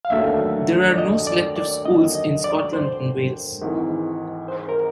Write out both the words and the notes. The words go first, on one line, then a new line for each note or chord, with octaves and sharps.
There are no selective schools in Scotland and Wales.
F5
D#2 D3 F#3 A3 E5
D5
D#5
D5
D5
D#2 D3 F#3 D#5
D#5
D5
C5
G#1 G#2 E3
C5
A#4